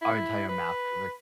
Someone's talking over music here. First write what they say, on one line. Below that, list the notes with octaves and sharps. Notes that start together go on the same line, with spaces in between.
our entire math curric
E4
B4